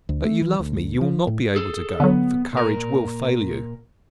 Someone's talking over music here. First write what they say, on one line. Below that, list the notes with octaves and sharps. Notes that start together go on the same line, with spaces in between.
But you love me, you will not be able to go, for courage will fail you.
D2
A3
E3
D2
F3
A2
G#4 A4
D3 F#3 B3
A#2 A#4